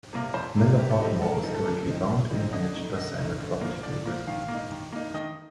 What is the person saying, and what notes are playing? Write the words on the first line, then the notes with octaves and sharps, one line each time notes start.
Menlo Park Mall is currently owned and managed by Simon Property Group.
C3 G3 A#3
F2 C5
C3 G3 A#3
G2 G4
A4
F3 C4 D#4 G4
G2 A4
A#4
F3 C4 D#4 A4
A4
A#2
F3 C4 D#4
A#2
F3 C4 D#4
D3 D#5
A3 D#4
D3 D#5
A3 D#4
D3
F3 A#3
D3 D5
F3 A#3
D#3 F5
A#3
D#4
D#3
A#3 D#4
D#3 D#5